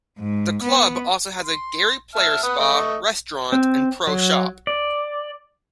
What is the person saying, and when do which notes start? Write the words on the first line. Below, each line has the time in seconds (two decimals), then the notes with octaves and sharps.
The club also has a Gary Player Spa, restaurant and pro shop.
0.18 G#2
0.62 B3
1.44 C6
2.15 E5 A5 F6
2.43 B4 F#5 D#6
2.59 A3 D#5 C#6
3.52 C4
4.07 F#3
4.67 D5